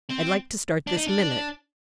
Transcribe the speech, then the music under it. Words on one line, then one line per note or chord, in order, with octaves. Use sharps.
I'd like to start this minute.
C4
D4
D#4
D4